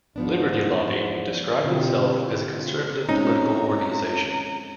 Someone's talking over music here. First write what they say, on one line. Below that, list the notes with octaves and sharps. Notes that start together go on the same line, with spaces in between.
Liberty Lobby described itself as a conservative political organization.
E2 G#2 F3 B3 D4
B2 D3 C4 E4 F4 G4
G#3 C4 C#4 D#4 A#5